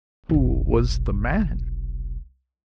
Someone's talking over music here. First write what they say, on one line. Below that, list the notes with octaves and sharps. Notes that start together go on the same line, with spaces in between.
"Who was the man?"
F1 B1